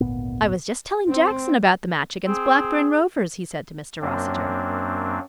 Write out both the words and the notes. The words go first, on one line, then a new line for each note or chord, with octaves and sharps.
I was just telling Jackson about the match against Blackburn Rovers,' he said to Mr Rossiter.
G#1 D2 A#2 B3
C4
C4 G#4
F#2 F#3 A#3 C4 D4